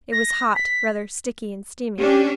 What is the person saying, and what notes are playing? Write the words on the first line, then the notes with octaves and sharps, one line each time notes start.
It was hot; rather sticky and steamy.
A#6
B6
C#4 D4 G4